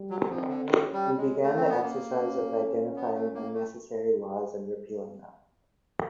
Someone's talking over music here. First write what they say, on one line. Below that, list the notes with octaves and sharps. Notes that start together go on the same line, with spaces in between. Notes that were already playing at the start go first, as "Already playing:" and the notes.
We began the exercise of identifying unnecessary laws and repealing them.
Already playing: G3
F#3
F#3
F3 C4
D3
D#3 C#4
G3
G#3
A3
C4
B3
A#3
C#4
B3
A3
A#3
A3